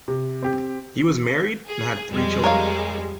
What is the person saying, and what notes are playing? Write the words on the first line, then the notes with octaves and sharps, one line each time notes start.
He was married and had three children.
C3
C4 G4
G#4
F2 G3 G#3
A#4 C#5 F5